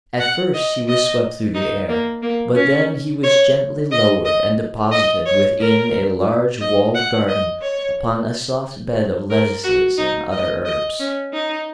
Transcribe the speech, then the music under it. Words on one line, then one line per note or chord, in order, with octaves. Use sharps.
At first he was swept through the air, but then he was gently lowered and deposited within a large walled garden, upon a soft bed of lettuces and other herbs.
F#5
D#5
D#5
D#4
A#3
A#3
C#4
C#5
D#5
D#5
D#5
C#5
A#4
D#5
F#5
D#5
C#5
A#4
F#4
D#4
D#5
D#5
C#4
D#4